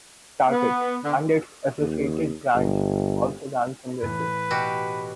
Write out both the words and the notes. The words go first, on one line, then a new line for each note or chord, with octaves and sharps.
Target, and its associated brands, also ran some races.
B3
D3
D#2
G1
A2 E3 B4
B2 F#4 G4